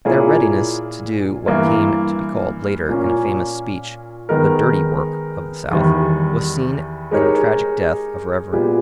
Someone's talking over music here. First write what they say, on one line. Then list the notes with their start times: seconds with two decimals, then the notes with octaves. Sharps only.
Their readiness to do what came to be called later, in a famous speech, the "dirty work" of the South was seen in the tragic death of Rev.
0.05 A#2 A#3 E4 G#4 C#5
1.46 G2 E3 A#3 E4
2.88 A#2 A#3 C#4
4.29 D#3 G#3 B3 D#4 A#4
5.71 E2 D#3 G3
7.11 G#3 D#4 G4 A#4 C#5
8.53 A#2 G#3 B3 G4